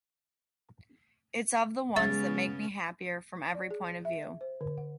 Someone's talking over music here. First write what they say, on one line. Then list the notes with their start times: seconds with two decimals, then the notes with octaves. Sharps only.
It’s of the ones that make me happier, from every point of view.
1.96 C#3 G#3 B3 C#4 E5 A6
3.55 D5
3.71 G#4
4.05 E5
4.41 C5
4.61 D3
4.78 F#5